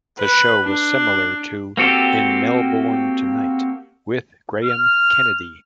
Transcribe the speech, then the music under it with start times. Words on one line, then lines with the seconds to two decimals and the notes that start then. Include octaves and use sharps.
The show was similar to "In Melbourne Tonight" with Graham Kennedy.
0.19 B4
0.64 D4
1.77 A#3 C4 F#4 G4 A4
4.65 F6